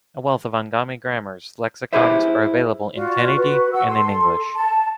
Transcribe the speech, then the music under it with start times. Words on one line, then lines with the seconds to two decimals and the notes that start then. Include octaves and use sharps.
A wealth of Angami grammars, lexicons are available in Tenyidie and in English.
1.93 E4 G4 G#4 B4 C5 E5
2.94 F4 F#4 D5
3.36 F#4 B4
3.72 F#4 F#5 E6
3.88 A4 C6
4.55 A5